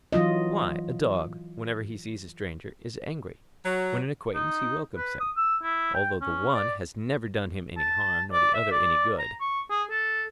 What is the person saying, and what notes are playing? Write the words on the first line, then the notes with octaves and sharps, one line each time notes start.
Why, a dog, whenever he sees a stranger, is angry; when an acquaintance, he welcomes him, although the one has never done him any harm, nor the other any good.
E3 F#3 F4 D#5
F#3
D#4
B4
D#6
E6
E4
G5
C#4
D5
A5
D5
E5
D5
A#5
C#6
G#4
A4